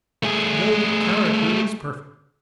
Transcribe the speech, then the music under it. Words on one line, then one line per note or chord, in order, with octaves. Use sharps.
No character is perfect.
A3 G#4